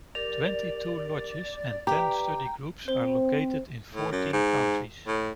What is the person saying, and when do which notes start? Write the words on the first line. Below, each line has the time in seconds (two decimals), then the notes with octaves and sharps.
Twenty-two lodges and ten study groups are located in fourteen countries.
0.15 G4 A#4 D5 F7
1.87 G4 B4 D5 G5 A#5
2.88 C4 C5 G7
3.94 A2
4.12 F#2
4.33 G#2
5.07 A2